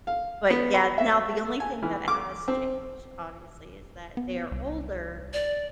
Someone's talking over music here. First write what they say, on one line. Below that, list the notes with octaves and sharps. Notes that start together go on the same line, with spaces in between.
But yeah, now the only thing that has changed, obviously, is that they're older.
F5
B3
B5
E5
G#5
E3
D6
C4
B3
C2
D5